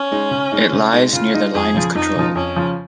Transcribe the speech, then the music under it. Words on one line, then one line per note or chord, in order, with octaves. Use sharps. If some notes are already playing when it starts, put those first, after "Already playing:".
It lies near the Line of Control.
Already playing: C#4
G#3 D#4
C#3
G#3 D#4
C#3
G#3 D#4
C#3 F4
G#3 D#4
F2 G#4
C#3 F3
F2 D#4
C#3 F3
F2 C#4
C#3 F3